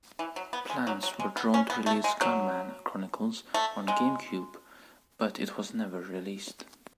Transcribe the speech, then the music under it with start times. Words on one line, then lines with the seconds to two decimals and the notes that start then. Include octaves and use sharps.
Plans were drawn to release Gunman Chronicles on GameCube, but it was never released.
0.19 E3
0.36 F#3
0.53 B3
0.70 G#3
0.87 F#3
1.03 F#3
1.20 G#3
1.37 B3
1.54 C#4
1.70 B3
1.86 A3
2.04 G#3
2.21 F#3
3.54 A3
3.88 G#3